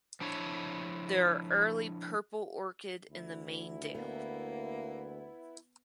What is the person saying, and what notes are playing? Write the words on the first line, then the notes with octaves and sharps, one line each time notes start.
There are early purple orchid in the main dale.
F3 D4 E4 C#5
D2 E4
A#3 B3